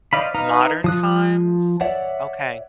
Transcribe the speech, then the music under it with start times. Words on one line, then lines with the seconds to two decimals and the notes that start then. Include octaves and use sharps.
modern times? Okay.
0.13 C5 D5 D#5 F5 B5
0.35 D#4 B4 D#5 F5 A#5
0.84 F3 D#6 F#6
1.81 C#5 D5 E5 F#5